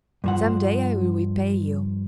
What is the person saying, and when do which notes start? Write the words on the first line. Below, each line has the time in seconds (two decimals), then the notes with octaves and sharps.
"Some day I will repay you."
0.24 G2 F3 F#5